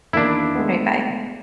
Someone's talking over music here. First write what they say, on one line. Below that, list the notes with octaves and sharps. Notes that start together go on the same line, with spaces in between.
Alright. Bye.
E2 D#3 A#3 D4 E4
G#3 A3 B3